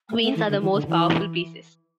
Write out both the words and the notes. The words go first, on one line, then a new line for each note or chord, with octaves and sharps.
Queens are the most powerful pieces.
A3
A3
E3
D3
E3
D3
E3